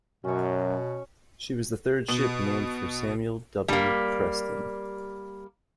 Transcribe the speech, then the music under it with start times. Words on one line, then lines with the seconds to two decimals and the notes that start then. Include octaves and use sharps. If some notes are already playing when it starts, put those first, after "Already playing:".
She was the third ship named for Samuel W. Preston.
0.24 F#2 B2 C#4 C#5
2.09 B2
3.68 G3 A#3